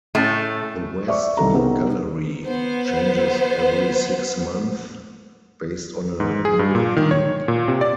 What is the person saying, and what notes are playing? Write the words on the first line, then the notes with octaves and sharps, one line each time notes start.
The West Gallery changes every six months based on a new theme.
A2 A3 C#4
C5 D5 E5 C#6
C2 D#3 A4 A#5
C3 B3 C4 D#4 G#4 A#4
B3 C5
G#2
G#4
G2
A#2
D#3
C#5
A#2
C3
D5